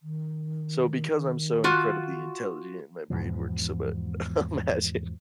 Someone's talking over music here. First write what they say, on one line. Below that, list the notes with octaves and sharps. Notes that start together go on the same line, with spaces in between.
So, because I'm so incredibly intelligent, my brain works so but I'm asking
D#3
F4 F#4
E2 G#2 B2 F3